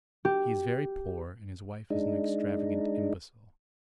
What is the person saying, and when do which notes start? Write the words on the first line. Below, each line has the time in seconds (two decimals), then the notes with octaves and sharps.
He is very poor and his wife is an extravagant imbecile.
0.25 G4
1.90 G#3 D4 D#4